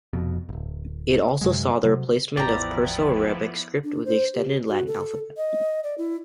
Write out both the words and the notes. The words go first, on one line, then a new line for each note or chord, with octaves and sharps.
It also saw the replacement of the Perso-Arabic script with the extended Latin alphabet.
F1 F2 B2
D1 G#1
F#2 C3 F#3 G#3
C3 F#3
A1 E2 F3 B3 E4 G4 D5 A#5
D4
C5
G4
F#4
A4
D#5
D5
E4